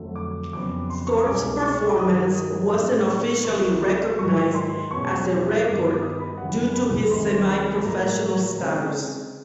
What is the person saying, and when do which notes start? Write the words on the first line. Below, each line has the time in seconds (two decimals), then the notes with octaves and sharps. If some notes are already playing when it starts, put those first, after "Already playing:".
Thorpe's performance wasn't officially recognized as a record due to his semi-professional status.
Already playing: F2 D3 F#3 A3
0.16 D6
0.53 F2 C#3 F#3 B3 D6
0.90 C6
1.07 C#6
1.26 C2 B2 G#3 C#4 D6
1.62 C#6
1.89 D6
1.99 G2 D#3 F#3 D#6
2.35 D#6
2.72 A2 E3 G3 C4 D#4 D6
3.08 C#6
3.45 C2 C3 E3 G3 A#3 C#6
3.81 C6
4.19 G#2 D#3 F#3 C#6
4.55 C6
4.91 E2 B2 G#3 C#4 C#6
5.64 G2 D#3 G3 B3 D#4 D6
5.83 D6
6.01 D#6
6.19 B5
6.38 F#2 C#3 E3 G3 F#5
6.74 B5
7.10 C#2 C3 D#3 G#3 C6
7.47 B5
7.84 A2 F3 A#3 A#5
8.57 C#3 E3 G#3 C4 D#4